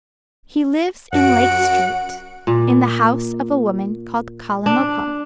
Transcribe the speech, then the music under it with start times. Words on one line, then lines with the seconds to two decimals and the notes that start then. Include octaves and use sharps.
He lives in Lake Street, in the house of a woman called Kalmikov....
1.13 F#2 F#4 F#5 D7
2.47 A#2
4.66 D4